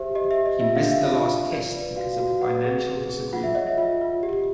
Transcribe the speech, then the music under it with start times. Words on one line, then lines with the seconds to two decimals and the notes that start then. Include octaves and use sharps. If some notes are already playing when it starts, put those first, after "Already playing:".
He missed the last Test because of a financial disagreement.
Already playing: G4 C5 E5
0.15 G4 D#5
0.31 E5
0.38 G4
0.46 D#5
0.60 F4 E5
0.75 F5
0.83 D4
0.91 E5
1.05 F4
1.28 F4
1.51 D5
1.73 B4
1.96 F#4 F5
2.20 F#4
2.41 B4 F#5
2.64 G#4
2.87 G#4
3.10 G#4
3.33 F4 F#5
3.44 E5
3.55 C#5 D#5
3.67 E5
3.78 F4 E5
4.01 F4
4.23 G4